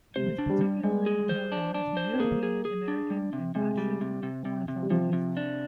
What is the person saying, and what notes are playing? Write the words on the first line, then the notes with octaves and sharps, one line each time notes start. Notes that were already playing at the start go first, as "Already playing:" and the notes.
He was particularly well-known to European, American and Russian ornithologists.
C3 C5
D4
G3
G3
G3 G#3
G#4
C5
D4
D4
C5
C4
A#3 G#4
G#4
G#4
D4
G3
C3
C3 G#3
G3
C3
C3
C3
C3
G3
C3 F3
C3
D4